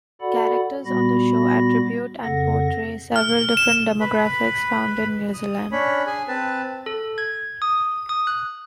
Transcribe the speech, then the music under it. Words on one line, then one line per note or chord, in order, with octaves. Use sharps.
Characters on the show attribute and portray several different demographics found in New Zealand.
F#4 A4 D5 F#5 B5
A#2 G3 B3 F#4 B5 A#6
F2 C#3 A4 F#5 A#6
F6
E7
B4 B5
D#6
C#4 D4 C#5 B5
G#4 G#5
C4 B4 A5
A4
G#6
D#6
D#6
F#6